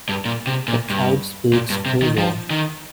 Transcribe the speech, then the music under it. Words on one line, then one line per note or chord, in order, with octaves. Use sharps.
The tribe speaks Faiwol.
G2
A#2
C3
A#2
G2
A#2
G2
C3
D#3
F3
D#3